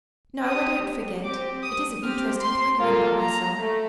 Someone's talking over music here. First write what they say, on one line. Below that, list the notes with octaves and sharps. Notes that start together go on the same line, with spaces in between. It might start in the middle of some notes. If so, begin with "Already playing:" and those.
'No, I don't forget; it isn't interesting to anyone but myself.
C4 G4 D#6
C4 G4 D6
D#6
C4 G4 F6
C6
A#3 F4 A4
A#5
A3